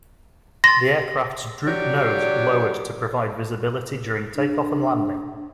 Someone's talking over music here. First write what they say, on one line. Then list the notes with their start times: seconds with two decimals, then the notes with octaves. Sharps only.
The aircraft's Droop-nose lowered to provide visibility during takeoff and landing.
0.64 C6 A6 A#6
1.67 F#3 D4 G4 C#5 D5
4.36 D4